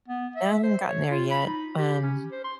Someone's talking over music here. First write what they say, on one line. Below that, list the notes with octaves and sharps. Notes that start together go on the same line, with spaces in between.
Haven't gotten there yet, um,
B3
E5
C5
C#5
F4
B5
D#4
G4
C#4
C5
C6